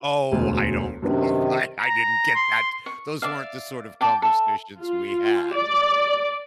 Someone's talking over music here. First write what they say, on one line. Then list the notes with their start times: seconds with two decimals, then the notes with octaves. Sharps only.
Oh, I don't know why I didn't get that. Those weren't the, sort of, conversations we had, uh,
0.32 E1 D2
1.02 F#2 C3 D#3 D4 B4
1.80 A#5
2.35 C6
2.86 C#6
3.22 D5 E5 F5
4.01 G5 A5 D6
4.22 A4 E5
4.81 F4
5.55 D5